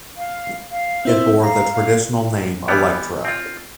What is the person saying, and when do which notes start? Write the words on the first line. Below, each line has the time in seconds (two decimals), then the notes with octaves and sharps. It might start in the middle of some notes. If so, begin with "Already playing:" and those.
It bore the traditional name "Electra".
0.17 F5
0.71 F5
1.05 C4 E4 C5 E5
1.43 F5 A#5
1.73 F5
2.68 E3 G3 B3
3.25 C4 F4